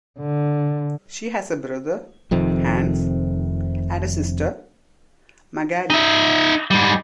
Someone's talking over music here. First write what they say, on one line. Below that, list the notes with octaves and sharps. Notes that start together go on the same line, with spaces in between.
She has a brother, Hans, and a sister, Magali.
D3
F1 F2 C3 D#3
D#4 E5
G#2 G3